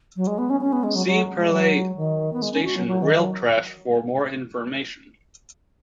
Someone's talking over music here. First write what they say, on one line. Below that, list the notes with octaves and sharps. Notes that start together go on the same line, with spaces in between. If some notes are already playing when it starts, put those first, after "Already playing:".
See Purley Station rail crash for more information.
F#3
G#3
B3
C#4
C#4
B3
G#3
F#3
F#3
G#3
F#3
D#3
B3
G#3
C#4
F#4
F#3
F#3
D#3
F#3